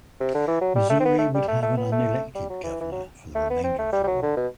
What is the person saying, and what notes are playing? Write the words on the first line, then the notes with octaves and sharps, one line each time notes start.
Missouri would have an unelected governor for the remainder of the war.
C3
D3
E3
F#3
G3
A3
C4
B3
A3
G3
A3
A3
B3
A3
G3
F#3
E3
E3
F#3
A3
B3
C4
A3
G3
G3
F#3
D3
B2